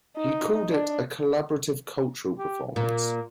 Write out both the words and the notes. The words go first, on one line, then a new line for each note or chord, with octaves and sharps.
He called it a "Collaborative Cultural Performance".
D#4
D4
G4
A#2 A#3